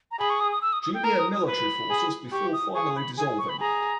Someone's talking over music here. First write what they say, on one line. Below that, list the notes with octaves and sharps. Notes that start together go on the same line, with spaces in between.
Junior Military Forces before finally dissolving.
A#5
G#4 B5
C#6
D#6
D#6
E6
D#6
D#6
G5
A#4 A#5
D#6
D#6
B4 B5
G#4
G4 C#6
D#6
G#4 C#6
B5
G#4 G#5
C#6
B5
G#4 A#5